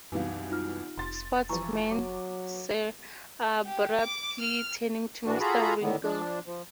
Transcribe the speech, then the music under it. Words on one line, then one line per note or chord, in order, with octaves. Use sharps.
Sportsman, sir?’ abruptly turning to Mr. Winkle.
C2 F#2 B2 E3 D#4 F5
D#4 F4 F6
F1 C6 A6
E3 F3 A#5 C#6
F#3 D6
G4
D6
F6
A2 E3 D4 F#4
F4 F#4 G#4 A4 A#5 B5
A2 D3 D#3 B3
F3 D4
F3